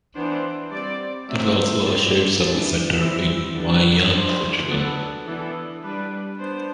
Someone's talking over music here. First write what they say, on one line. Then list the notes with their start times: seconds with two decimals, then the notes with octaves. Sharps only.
There's also a Shared Service Center in Maia, Portugal.
0.15 E3 B3 D4 C5
0.72 G3 C4 D5
1.28 F#3 A3 C4 E5
1.85 F#3 C4 D5
2.41 E3 G3 D4 D5
2.99 E3 G3 C4 E5
3.55 D3 G3 B3 D4 D5
4.12 G3 D4 C5
4.69 F#3 B3 D4 A4
5.25 E3 B3 D4 A4
5.83 G3 D4 B4
6.39 B3 D4 C5